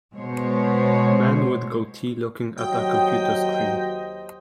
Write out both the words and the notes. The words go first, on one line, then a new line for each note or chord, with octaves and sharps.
Man with goatee looking at a computer screen.
B2 G#3 C5 C#5
D#2 F#3 C5 D#5 G5